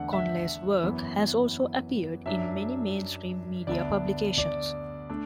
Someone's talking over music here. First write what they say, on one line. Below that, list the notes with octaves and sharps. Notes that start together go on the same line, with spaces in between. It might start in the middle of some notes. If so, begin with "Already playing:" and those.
Conley's work has also appeared in many mainstream media publications.
Already playing: E2 D3 A3 D4 F#5
E5
F#2 E3 B3
F#2 F#3 D4 E5
D2 D3 B3 D4 D5
D5
A3 D4